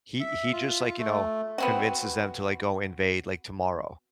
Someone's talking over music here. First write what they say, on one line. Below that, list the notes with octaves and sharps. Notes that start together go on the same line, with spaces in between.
he he just, like, you know, convinces them to, like, go invade, like, tomorrow,
E5
F4
A3
B3 C4 F#4